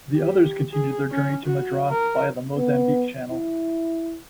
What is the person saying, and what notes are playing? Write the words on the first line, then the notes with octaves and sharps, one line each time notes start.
The others continued their journey to Madras via the Mozambique Channel.
G4
G#4
C#4
F#4
A#4
B3
E4